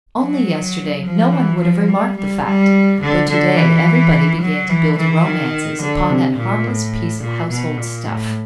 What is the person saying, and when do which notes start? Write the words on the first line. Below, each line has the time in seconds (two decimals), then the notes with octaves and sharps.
Only yesterday no one would have remarked the fact, but to-day everybody began to build romances upon that harmless piece of household stuff.
0.21 F#3
1.06 F3
1.33 E3
1.61 F3
1.88 G3
2.17 G3
2.45 G3
3.01 D3
3.29 D3
3.57 E3
4.41 F#3
4.69 E3
4.98 E3
5.26 D#3
5.81 D3
6.10 C3
6.38 A#2
6.66 A2
7.22 A#2
7.50 B2
7.77 A#2
8.05 A2